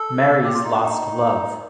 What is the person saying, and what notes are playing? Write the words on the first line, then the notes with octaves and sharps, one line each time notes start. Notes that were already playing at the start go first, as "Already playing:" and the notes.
Mary's lost love.
Already playing: A4
G4
F4
D#4
D4
D#4